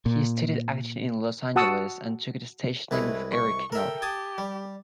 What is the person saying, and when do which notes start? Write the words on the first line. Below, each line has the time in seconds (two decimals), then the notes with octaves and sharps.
He studied acting in Los Angeles and took the stage name of Eric Nord.
0.06 A#2
1.56 F#4 F#5 A5 D#6 E6
2.91 C2 G#3 A3 E4 B4
3.31 C#6
3.72 A4 A#4 E5 G5
4.02 G4 G#5 A5 D#6
4.38 G3